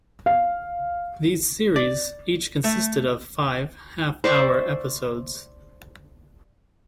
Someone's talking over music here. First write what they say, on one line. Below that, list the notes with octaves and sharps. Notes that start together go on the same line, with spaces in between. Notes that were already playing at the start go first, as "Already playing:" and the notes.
These series each consisted of five half-hour episodes.
F5
D5
A3
C5 D5 E5 C#6